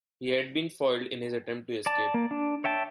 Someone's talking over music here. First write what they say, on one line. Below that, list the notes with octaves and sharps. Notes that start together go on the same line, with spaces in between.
He had been foiled in his attempt to escape.
D5 A5
A#3
D4
C#5 E5 G5 A5